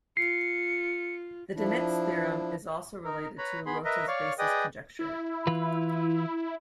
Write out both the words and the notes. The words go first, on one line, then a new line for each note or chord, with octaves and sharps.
The Dinitz theorem is also related to Rota's basis conjecture.
F4 C7 C#7
F3 D4 E4
D#4 A#4
B4 C#5 A#5 B5
B3 G#4 B5 C6
A#4 B4 D#5 E5
C#5 D5 F5 C#6
G#4 B4 D5 D#5 G5 D#6
E4
E3 F4 B4